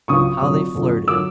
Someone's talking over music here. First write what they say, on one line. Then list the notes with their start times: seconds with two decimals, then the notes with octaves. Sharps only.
How they flirted!
0.08 C#2 C#3 F#3 C#6 D#6
0.41 F1 F2 D3 F#3
0.74 F1 F2 D3 F#3
1.08 D3 F#3 D6 E6